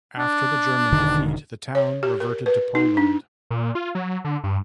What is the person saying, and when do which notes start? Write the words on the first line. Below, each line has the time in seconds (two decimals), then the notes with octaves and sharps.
After the German defeat, the town reverted to Poland.
0.18 D4
0.92 E1 D3 D#3
1.75 C#5
2.03 G4
2.20 A#4
2.46 B4
2.75 D#4
2.97 D4
3.50 A#2
3.75 F4
3.95 F#3
4.25 D3
4.44 G2